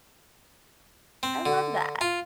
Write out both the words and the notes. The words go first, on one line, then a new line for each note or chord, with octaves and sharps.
I love that.
C4
D3
F4